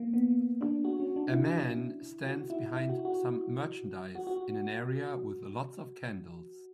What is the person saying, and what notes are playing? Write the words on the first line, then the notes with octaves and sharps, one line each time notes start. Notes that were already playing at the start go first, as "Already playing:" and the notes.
A man stands behind some merchandise in an area with lots of candles.
Already playing: A#3
B3
D4
F#4
C#4
D4
E4
F#4
E4
E4
F#4
F#4
F#4
F#4